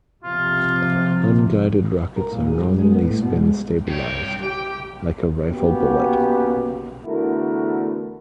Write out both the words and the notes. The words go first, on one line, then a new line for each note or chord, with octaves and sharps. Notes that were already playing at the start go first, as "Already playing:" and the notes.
Unguided rockets are normally spin stabilized, like a rifle bullet.
C3 F3 F4
A#4
A#2
G#4
G3
G#3
B3
A2
B2
G#3
G2 C#5 G5
G4 G5
B2 A#3 B3 C#4 G4
E2 D3 A3 E4 F#4 A#4